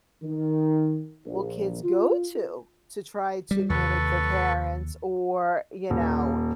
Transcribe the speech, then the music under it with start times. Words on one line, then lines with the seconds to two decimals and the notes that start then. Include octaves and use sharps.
will kids go to to try to mimic their parents or you know
0.22 D#3
1.25 A#1
1.84 F4
3.51 G3
3.70 D#2 C3 A4 B4 C#6
5.90 D#1